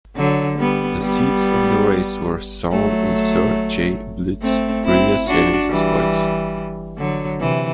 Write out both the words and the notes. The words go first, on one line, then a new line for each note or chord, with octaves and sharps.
The seeds of the race were sown in Sir Chay Blyth's previous sailing exploits.
D3 F#3
G3 B3
G3 B3
F#3 A3
A3 C4
C4 E4
D4 F#4
E3 G3
D3 F#3
C3 E3